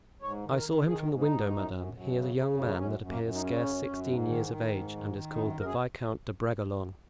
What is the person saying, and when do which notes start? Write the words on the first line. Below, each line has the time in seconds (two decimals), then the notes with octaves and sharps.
"I saw him from the window, madame; he is a young man that appears scarce sixteen years of age, and is called the Viscount de Bragelonne."
0.22 G#2 C#5
0.44 D#3
0.54 A#4
0.65 D#3
0.86 D#3 G#4
1.08 G#2
1.19 D#4
1.29 G#2
1.50 F#2
1.72 F#2
1.93 F#2
2.14 C#3
2.35 C#3
2.56 F#2
2.68 A#3
2.77 F#2 C#4
2.99 F#2
3.09 A#3
3.21 F#2
3.34 D#4
3.41 C#3 C#4
3.63 F#2
3.84 F#2
4.05 G#2
4.27 D#3
4.48 D#3
4.69 G#2
4.90 D#3
5.12 D#3
5.33 F#2 D#4
5.54 F#2
5.60 A#4
5.65 G#4